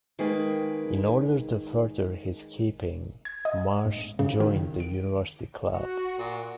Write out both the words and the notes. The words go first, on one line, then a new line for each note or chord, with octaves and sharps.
In order to further his keeping, Marsh joined the University club.
D#3 G#3 A#3 G#4 B4 G5
G#6
D#5
G#2
C#3
D#3
D7
F#4
A#2